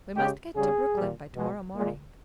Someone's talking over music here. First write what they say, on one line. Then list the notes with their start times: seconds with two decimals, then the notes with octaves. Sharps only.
"We must get to Brooklyn by tomorrow morning."
0.15 C#3 G#3 G4
0.55 C#3 G3 G#4
0.95 A#2 G3
1.35 B2 G#3
1.74 A#2 G#3